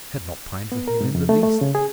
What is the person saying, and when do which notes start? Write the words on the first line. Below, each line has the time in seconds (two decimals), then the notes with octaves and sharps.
I had not pined for him in the least.
0.72 B3
0.88 A#4
1.01 G#2
1.15 F2
1.29 A3
1.43 A3
1.61 C#3
1.75 G#4